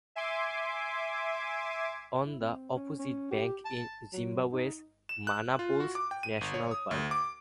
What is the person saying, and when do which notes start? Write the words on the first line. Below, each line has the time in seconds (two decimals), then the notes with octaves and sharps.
On the opposite bank is Zimbabwe's Mana Pools National Park.
0.16 E5 G#5 C6 D6
2.25 E4
2.40 C4
2.75 C#4
2.99 C#4
3.31 G4
3.65 A5
4.13 F#3
4.52 D#4
5.09 E7
5.27 F#6
5.59 F4
5.80 F#4
5.95 D6
6.11 G5
6.23 D#7
6.41 G1
6.54 C#5
6.71 D#6
6.91 D2
7.11 D6